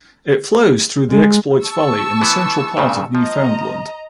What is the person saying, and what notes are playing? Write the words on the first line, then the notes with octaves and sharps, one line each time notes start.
It flows through the Exploits Valley in the central part of Newfoundland.
G#3
A5 C#6 E6
E3 B3
G2 A#2 C#3
F3 D#5 A#5